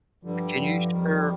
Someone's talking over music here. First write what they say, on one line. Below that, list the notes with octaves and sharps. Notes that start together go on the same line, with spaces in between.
can you share
G2 D3 F3 G3
F3
F2 D#3 G3